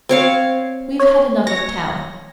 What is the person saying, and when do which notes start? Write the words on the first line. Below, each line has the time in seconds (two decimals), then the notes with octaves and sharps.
We've had enough of town.
0.09 C4 C#5 F5
1.00 C#5
1.47 C#5 A#6